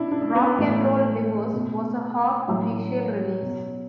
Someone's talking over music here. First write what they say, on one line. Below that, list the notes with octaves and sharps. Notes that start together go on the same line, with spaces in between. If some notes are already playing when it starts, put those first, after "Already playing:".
"Rock and Roll Divorce" was a half-official release.
Already playing: B2 D4 E4
D4
B3
A2 E3 A3
B2
A2 E3 F#3
B2